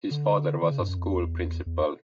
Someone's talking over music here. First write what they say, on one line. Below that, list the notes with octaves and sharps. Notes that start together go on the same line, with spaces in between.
His father was a school principal.
D3
D#3
C#3
G2
F#2
F2
E2
E2